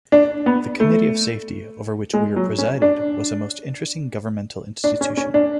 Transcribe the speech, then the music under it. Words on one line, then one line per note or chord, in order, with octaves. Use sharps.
The Committee of Safety, over which Weare presided, was a most interesting governmental institution.
D4
B3
A3
G#3
F#3
C#4
D4
D4
C#4
C#4
D4